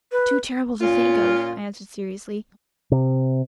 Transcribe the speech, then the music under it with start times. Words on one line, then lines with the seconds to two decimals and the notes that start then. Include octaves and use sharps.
"Too terrible to think of," I answered seriously.
0.12 B4
0.81 A#2 C#4 F4
2.91 C3